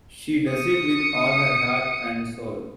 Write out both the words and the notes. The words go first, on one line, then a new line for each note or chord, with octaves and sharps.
She does it with all her heart and soul.
D#6 C#7